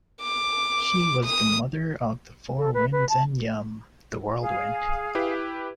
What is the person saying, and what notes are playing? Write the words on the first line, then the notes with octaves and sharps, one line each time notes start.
She was the mother of the Four Winds and Yum, the whirlwind.
D6
D#6
A4
B4
B4
A5
G#4 F5
E4 G4 B4